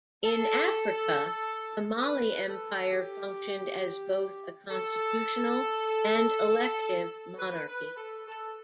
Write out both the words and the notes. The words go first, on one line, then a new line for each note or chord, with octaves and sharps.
In Africa, the Mali Empire functioned as both a constitutional and elective monarchy.
A4
B4
A4
G4
A4
B4
B4
A4
A4